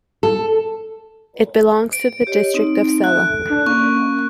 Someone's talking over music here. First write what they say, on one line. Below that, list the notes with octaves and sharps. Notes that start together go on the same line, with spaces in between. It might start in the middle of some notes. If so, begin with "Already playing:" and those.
It belongs to the district of Celle.
A4
D7
G4 C#5 D#5
C4 D#4 C6
A3 A4 F#6
D4
A#3 C#4 C#6